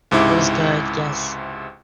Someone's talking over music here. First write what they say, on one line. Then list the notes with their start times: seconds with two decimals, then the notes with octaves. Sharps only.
It was good, yes.
0.11 C#2 G#2 C3 E4 D6